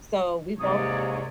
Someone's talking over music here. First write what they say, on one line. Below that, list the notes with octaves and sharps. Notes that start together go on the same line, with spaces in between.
so we both
D#2 G#2 C3 C#5 D5 D#6